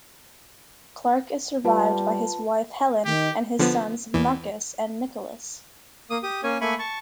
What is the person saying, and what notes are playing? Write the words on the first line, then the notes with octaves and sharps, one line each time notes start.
Clarke is survived by his wife Helen and sons Marcus and Nicolas.
G3 F4 B4 A5
D#3 G4
D3 F3 B3
E2 E3
A#3 D#6
G4 D#6
A#3 C#4 C#5 G#5
A3 A#3 G#5 B5 C#6
A5 C#6